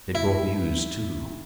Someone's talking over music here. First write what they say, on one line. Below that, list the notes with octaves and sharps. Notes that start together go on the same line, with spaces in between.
They brought news, too.
E4